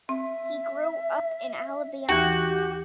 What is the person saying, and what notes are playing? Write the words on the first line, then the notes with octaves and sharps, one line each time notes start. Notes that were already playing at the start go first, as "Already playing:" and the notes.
He grew up in Alabama.
C4 E5
D#2 E3 F#4 G4